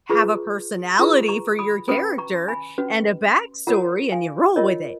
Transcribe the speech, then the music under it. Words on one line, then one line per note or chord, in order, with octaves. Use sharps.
have a personality for your character and a backstory and you roll with it.
F4 G#4 B4 A#5 C#6
F4 G#4 B4 A#5 C#6
A#5 C#6
B5 D#6
C#4 F#4 B4 B5 D#6
A#5 C#6
G#5 B5
C#4 F#4 B4
F4 A#4 C#5 F#5 A#5
F5 G#5
F4 A#4 C#5 D#5